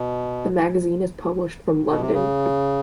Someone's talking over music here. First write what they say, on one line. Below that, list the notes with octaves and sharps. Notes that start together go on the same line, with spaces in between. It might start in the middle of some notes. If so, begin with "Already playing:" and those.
The magazine is published from London.
Already playing: B2
B2
C3
C#3